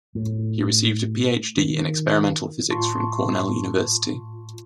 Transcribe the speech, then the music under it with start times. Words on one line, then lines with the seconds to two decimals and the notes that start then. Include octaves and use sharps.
He received a Ph.D. in experimental physics from Cornell University.
0.15 A2
1.57 D#3
2.70 A2 F4 A5 C6 C#6